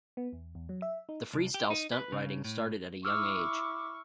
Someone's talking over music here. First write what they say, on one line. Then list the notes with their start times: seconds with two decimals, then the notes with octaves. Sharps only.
The Freestyle stunt riding started at a young age.
0.17 B3
0.33 E2
0.55 E2
0.69 F#3
0.82 E5
1.09 D#4
1.33 C2
1.54 G4
1.70 D#4
1.92 B4
2.12 C#3
2.44 A2
3.05 E4 C#6 D6 E6 F6